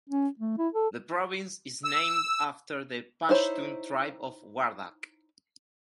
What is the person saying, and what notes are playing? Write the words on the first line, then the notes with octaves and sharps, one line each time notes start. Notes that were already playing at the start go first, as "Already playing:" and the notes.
The province is named after the Pashtun tribe of Wardak.
C#4
A3
E4
A4
E6
D#4 E4 C5 C#5